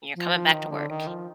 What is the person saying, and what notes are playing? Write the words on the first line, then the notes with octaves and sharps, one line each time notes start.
You're coming back to work.
F3
F3
D#3
D3
D#3
F3